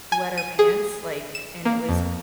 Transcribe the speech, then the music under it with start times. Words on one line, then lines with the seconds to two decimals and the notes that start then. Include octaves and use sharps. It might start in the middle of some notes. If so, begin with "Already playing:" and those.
wet her pants, like, and it was
0.12 G#5
0.38 D#7
0.59 G#4
1.35 E7
1.65 A#3
1.89 F2